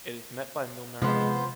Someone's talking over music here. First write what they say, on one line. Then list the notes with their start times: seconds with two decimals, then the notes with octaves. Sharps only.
It is met by Milmerran.
1.02 C3 F3 G#3 B3 C5